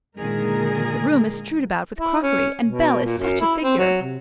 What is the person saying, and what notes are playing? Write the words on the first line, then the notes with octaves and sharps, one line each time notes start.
The room is strewed about with crockery, and Bell is such a figure!
A#2 D3 D#3 G#3 G#4 A#4
E4
C#4
B2
A#2
F#2
E4
C4
F#3
C3